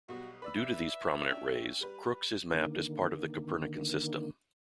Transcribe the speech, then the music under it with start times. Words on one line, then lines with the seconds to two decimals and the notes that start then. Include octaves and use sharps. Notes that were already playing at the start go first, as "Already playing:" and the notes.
Due to these prominent rays, Crookes is mapped as part of the Copernican System.
0.09 B1 B2 G3 F#4
0.42 B4 D5 B5 E6
0.57 E5
1.30 C#4 D4 G5
1.81 G3 B4
2.53 D3 D#3 A#3